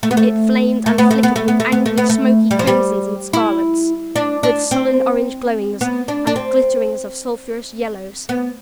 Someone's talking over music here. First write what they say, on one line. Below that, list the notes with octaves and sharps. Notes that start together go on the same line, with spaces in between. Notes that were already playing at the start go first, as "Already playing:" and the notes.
It flamed and flickered with angry, smoky crimsons and scarlets; with sullen orange glowings and glitterings of sulphurous yellows.
A3
B3
A3
A3
B3
A3
B3
A3
B3
A3
B3
A3
B3
A3
G3
F3
G3
E4
D4
D4
C4
B3
D4
D4
C4
B3